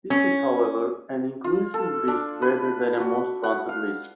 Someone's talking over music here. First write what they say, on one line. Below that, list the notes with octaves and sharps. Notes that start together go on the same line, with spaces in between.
This is, however, an inclusive list rather than a "most wanted" list.
C#4
F4
A4
D4
B4
F#4
F#5
F5